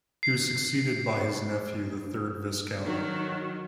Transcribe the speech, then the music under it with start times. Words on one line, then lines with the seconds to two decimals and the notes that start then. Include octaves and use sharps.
He was succeeded by his nephew, the third Viscount.
0.23 C7
2.85 D#3 F#3